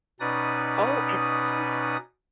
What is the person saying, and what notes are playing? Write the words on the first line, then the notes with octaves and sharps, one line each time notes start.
Oh, and, oof.
B2 C#4 D#4 B4 D5 D#6